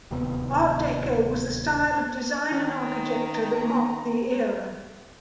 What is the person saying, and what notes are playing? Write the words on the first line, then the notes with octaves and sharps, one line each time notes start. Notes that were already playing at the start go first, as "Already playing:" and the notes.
Art Deco was the style of design and architecture that marked the era.
D1 D#2 C3 B3
D#3 C#4 A#5